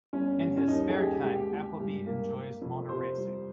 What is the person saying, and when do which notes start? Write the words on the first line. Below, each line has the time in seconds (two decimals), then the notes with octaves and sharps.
In his spare time, Appleby enjoys motor racing.
0.13 G1 C#4
0.41 G2
0.57 C#4
0.68 D#2 D#4
0.89 G#4
0.95 D#2 G4
1.23 G#3 G4
1.52 G#3
1.79 G2
2.06 A#3
2.34 A#3
2.61 F2
2.89 C3 C5
3.17 G3